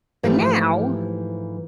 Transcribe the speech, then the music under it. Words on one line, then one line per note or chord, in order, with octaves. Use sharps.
but now,
G#2 E3 F3 A3 G4 B4